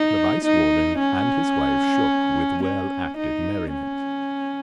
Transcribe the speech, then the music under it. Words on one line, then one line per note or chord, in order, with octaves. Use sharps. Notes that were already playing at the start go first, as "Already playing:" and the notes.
The Vice-Warden and his wife shook with well-acted merriment.
Already playing: D#4
D#4
C#4
C#4
D#4
C#4